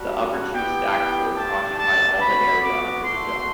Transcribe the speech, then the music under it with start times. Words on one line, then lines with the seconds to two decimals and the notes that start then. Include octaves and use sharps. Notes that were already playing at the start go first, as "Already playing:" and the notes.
The upper two stack floors occupied all the area under the dome.
Already playing: G3 D4 F#4
0.54 B3 E4 G4 G5
1.37 A3 D4 G4 A5
1.78 A5
2.20 B3 F#4 B5
2.63 D6
3.04 A3 D4 F#4 C6